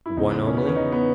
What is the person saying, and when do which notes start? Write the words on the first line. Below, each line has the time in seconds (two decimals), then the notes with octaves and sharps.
"One only?"
0.06 E4
0.17 E2 C#3 E3 D#4
0.47 C#4
0.57 B3
0.67 C#4
0.76 D#4
0.92 B3